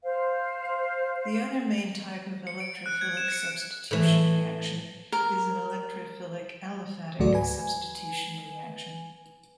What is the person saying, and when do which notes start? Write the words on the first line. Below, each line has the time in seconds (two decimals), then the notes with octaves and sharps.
The other main type of electrophilic substitution reaction is an electrophilic aliphatic substitution reaction.
0.04 C5 F5
2.47 C#7
2.60 D7
2.86 F#6
3.01 G#6
3.17 E7
3.32 C#7
3.91 A2 E3
5.12 A#4
7.19 D2 G#2 F#3 A3 F#4 D5
7.34 B4 G#5